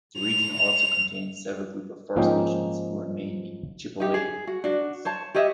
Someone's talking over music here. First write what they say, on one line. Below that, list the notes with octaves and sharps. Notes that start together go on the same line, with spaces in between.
The region also contains several groups of First Nations, who are mainly Chipewyan peoples.
F7
G#2 F3 A#3 C#4 D#4 G5
D#4 G4
G#4
F#4
D4 F#4
C5 C#5 A5
G4 C#5 D#5 E5